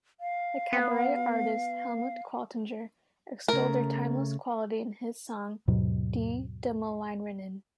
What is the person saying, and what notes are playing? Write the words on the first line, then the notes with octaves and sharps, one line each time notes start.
The cabaret artist Helmut Qualtinger extoled their timeless quality in his song "Die Demelinerinnen".
F5
B3
C#3 A3 A#4
D#2 G#2 B2 F#3